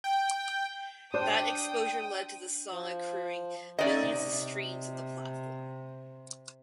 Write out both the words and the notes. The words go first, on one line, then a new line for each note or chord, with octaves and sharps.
That exposure led to the song accruing millions of streams on the platform.
G5
D4 C5 G5 D#6
F3
C#4 D#4 D5 D#5
C3